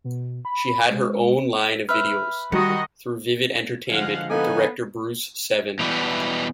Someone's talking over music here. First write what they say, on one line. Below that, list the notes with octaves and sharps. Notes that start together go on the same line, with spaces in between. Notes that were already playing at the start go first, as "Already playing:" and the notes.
She had her own line of videos through Vivid Entertainment with director Bruce Seven.
B2
B5
G#3
B4 E5 F6
D#3 G3 F#4 D#5 C#7
D3 F3 G#3 F5 F#5
B3 D#4 A4 F5 G#5
E2 B2 E3 G3 B3